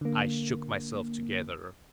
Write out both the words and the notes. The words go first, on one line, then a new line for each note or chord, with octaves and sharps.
I shook myself together.
D3 A#3